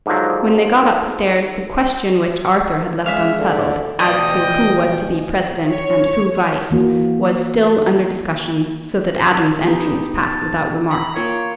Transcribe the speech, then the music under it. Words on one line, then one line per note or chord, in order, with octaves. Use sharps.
When they got upstairs, the question which Arthur had left unsettled, as to who was to be president, and who vice, was still under discussion, so that Adam's entrance passed without remark.
G#2 D3 D#3 F3 F#3
C#3 E3 G#3 E5 F5
D3
D2 B2 E3 D5 D#5 G5 G#5
C#5
E3 A#3 F#4
B3 D#4 G4
A5
A#5 B5
A#3 F4 C#5 G5